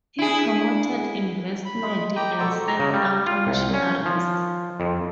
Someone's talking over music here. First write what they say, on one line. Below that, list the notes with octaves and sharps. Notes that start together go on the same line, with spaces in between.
He promoted investment, and sent out missionaries.
D4 E4 G#4
B5
G#3
G4 G5 A#5
B2 A4 C5 D5 A#5 C#6
A#5
C#3
G3
F4
C2
C#4
F3
F2